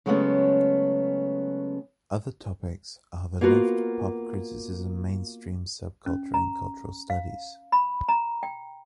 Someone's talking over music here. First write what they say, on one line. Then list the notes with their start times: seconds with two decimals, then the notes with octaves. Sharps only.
Other topics are the left, pop, criticism, mainstream, subculture and cultural studies.
0.06 C#3 F#3 G#3 A3 B3 C#4
3.41 A#3 B3 F4 F#4 A#4
6.06 C#4
6.34 A#5
7.10 F5
7.72 B5
8.09 A#5
8.43 G5